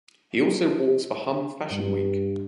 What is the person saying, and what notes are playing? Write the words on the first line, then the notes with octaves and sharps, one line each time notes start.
He also walks for Hum Fashion Week.
G2